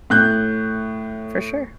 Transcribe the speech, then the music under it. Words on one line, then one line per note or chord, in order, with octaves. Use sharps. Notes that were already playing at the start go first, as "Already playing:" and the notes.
For sure.
A2 F#6 G6